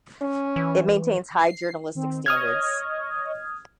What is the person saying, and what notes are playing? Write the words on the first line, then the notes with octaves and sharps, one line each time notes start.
It maintains high journalistic standards.
C#4
E3
C7
D#3 C4
C#5 D#5 D#6 F6 G#6